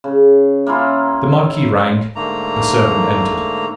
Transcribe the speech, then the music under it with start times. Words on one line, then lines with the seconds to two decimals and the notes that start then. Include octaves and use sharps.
The marquis rang, a servant entered.
0.04 C#3
0.67 A#3 C#4 E4 F4
2.16 G#2 D3 A3 A#3 A#5